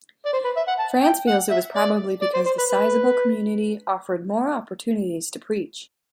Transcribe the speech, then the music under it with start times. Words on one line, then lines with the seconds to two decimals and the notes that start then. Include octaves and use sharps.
France feels it was probably because the sizeable community offered more opportunities to preach.
0.25 D5
0.33 C5
0.44 B4
0.57 E5
0.68 F#5
0.79 A5
1.03 G5
1.27 F#5
1.51 E5
1.75 D5
2.22 D5
2.34 C5
2.46 C5
2.58 B4
2.70 B4